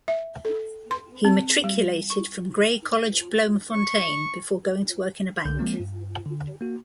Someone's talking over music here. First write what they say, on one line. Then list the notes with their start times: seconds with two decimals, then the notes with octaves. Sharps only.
He matriculated from Grey College, Bloemfontein before going to work in a bank.
0.08 E5
0.45 A4
0.91 C6
1.25 C4
1.64 G3
2.10 C#6
3.73 C#6
5.45 C2 D3 G6
5.59 F3 G#3 A#3 C4
5.80 G2
6.26 D3
6.61 A#3 F#4